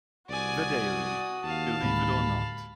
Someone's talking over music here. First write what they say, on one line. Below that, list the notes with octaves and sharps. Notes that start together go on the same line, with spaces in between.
The daily Believe It or Not!
C2 F#4 D5 G#5 D#6
D#2 F5 A5
D2 A2 G#3 B5